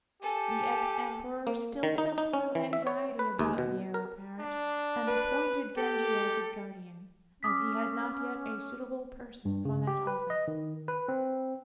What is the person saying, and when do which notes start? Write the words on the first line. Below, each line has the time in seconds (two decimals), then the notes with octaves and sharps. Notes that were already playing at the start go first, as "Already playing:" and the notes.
The ex-Emperor still felt some anxiety about the Heir-apparent, and appointed Genji as his guardian, as he had not yet a suitable person for that office.
0.22 G4 A4 G#5
1.47 A#3
1.83 D#3
1.98 D#4
2.18 D#4
2.34 C#4
2.55 E3
2.73 E5
2.87 C#5
3.19 B4
3.39 D#2
3.58 B2
3.94 A#4
4.40 D4
5.08 B4
5.77 G4 A4
7.43 C#4 D6 D#6 B6
9.45 G2
9.65 C#3
9.87 G4
10.07 B4
10.30 D#5
10.48 D#3
10.88 B4
11.08 C4